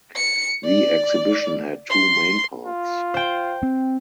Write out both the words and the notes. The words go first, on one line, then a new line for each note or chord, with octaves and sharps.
The exhibition had two main parts.
C#7
D5
C6
F4
C5 G5
C4